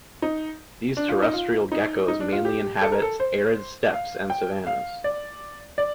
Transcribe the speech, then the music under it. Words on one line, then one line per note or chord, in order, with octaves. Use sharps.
These terrestrial geckos mainly inhabit arid steppes and savannas.
D#4
D4
F4
D#4
F4
D#4
D#4
D4
F4
G4
A4
A#4
A4
C5
F5
G5
F5
D5
D5